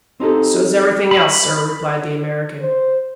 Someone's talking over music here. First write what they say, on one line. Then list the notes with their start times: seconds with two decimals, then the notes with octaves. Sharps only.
"So's everything else, sir," replied the American.
0.20 C4 D#4 G4 A4
1.11 B5
2.61 C5